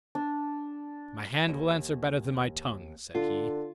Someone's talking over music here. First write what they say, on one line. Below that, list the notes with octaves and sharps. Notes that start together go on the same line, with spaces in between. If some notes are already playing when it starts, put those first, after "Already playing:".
'My hand will answer better than my tongue,' said he.
D4
D#2
D3 F4